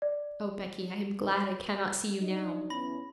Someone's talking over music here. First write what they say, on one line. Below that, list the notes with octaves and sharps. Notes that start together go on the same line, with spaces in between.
O Becky, I am glad I cannot see you now!'
D5
F#3 D4 D#4
E2 C#4 B5 A#6